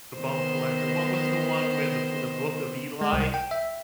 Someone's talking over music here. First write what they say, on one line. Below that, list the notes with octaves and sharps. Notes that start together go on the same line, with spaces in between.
The Bone Collector, what was the one where, The Boo The Book of Eli?
D#3 B3 C5
G#3
C2
G5
E5